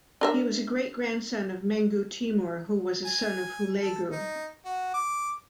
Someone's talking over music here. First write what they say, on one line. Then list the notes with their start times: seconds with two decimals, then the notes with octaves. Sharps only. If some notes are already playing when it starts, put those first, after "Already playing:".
He was a great-grandson of Mengu Timur, who was a son of Hulegu.
0.21 D4 A#4 E5
3.05 G#5
3.82 A4
4.12 D#4
4.65 F#4
4.94 D6